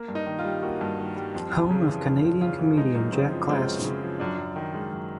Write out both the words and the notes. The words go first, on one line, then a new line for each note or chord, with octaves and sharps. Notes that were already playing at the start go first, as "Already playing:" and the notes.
Home of canadian comedian Jack Klassen.
Already playing: A#3
G2
D#4
D#3
F4
G3
A#3 F#4
G2
D#3
G3
F2
F2
C#3
E3
F2
F2
C#3 F4
E3
G#3 D#4
F#2
C#3 C4
F3
G#3 C4
F#2
C#3
F3
F#2 D4
F#2
D#3
G#3
F#2